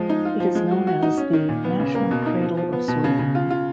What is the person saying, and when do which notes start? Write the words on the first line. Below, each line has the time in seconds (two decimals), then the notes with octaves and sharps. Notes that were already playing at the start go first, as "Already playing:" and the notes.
It is known as the "National Cradle of Soybean".
Already playing: F3 G#3
0.09 D#4
0.25 F4
0.40 F3
0.55 G#3
0.71 F#4
0.87 F#4
1.02 D#4
1.17 C#4
1.33 D#3
1.49 A#2
1.64 B3
1.80 C#3
1.95 A#3
2.11 B2
2.26 D#4
2.42 F3
2.57 F3
2.73 B3
2.88 B2
3.04 C#3
3.19 C#3
3.35 F4
3.50 F4